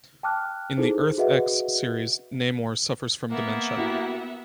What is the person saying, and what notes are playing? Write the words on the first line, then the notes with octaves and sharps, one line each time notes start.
In the "Earth X" series Namor suffers from dementia.
G5 A5 D6 F6 F#6
D#4 E4 G#4 A4 C5
F#4 G#4 B4 D#5 E5 F#5
A#3 B3 E5 F#5
E4 F#4 G4